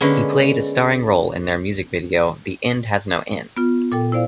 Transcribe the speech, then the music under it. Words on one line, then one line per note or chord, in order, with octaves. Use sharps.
He played a starring role in their music video "The End Has No End".
D3 G#3 A#3 B3 C#4
B3 F4
A#2 A4 G5
E4 C5 D5 F5